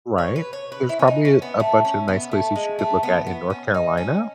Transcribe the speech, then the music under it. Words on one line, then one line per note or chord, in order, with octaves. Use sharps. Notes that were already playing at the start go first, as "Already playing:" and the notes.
Right. There's probably a a bunch of nice places you could look at in North Carolina?
C#5
B4
C#5
B4
E4
C#4
D#4
C#4
B3
A3
C#4
B3
A3
G#3
A3
B3
B3
C#4
D#4
C#4